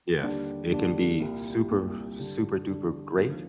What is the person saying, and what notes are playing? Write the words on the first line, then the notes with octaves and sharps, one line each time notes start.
Yes. It can be super, super duper great
D#2 D3 G3 D4
D#2 D3 G3 D4
C2 A#2 G3
C2 A#2 G3
G2 D3 G3 D4
G2 D3 G3 D4
D#2 D3 F3 C4 D#4